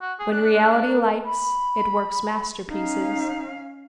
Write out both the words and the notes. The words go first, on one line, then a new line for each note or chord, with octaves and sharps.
When reality likes, it works masterpieces.
F#4
G#4
D4 F#6
A#4
B5
C#4 D#4 F5